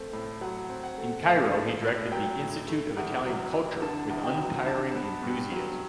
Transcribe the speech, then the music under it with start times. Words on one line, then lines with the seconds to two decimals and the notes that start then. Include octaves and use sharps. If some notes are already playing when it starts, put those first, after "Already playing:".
In Cairo he directed the Institute of Italian Culture with untiring enthusiasm.
Already playing: A3 C4
0.13 A2
0.41 F#3 F#5
0.69 C4
0.83 F#5
0.98 A3
1.26 A2 E5
1.55 A3
1.83 A2
2.12 F#3 G5
2.40 A2
2.68 A3
2.97 E2
3.25 F#3
3.53 E2
3.82 D3 A5
4.10 E2
4.23 G5
4.38 F#3
4.66 D4 A5
4.92 B3 A5
5.23 G2
5.52 F#3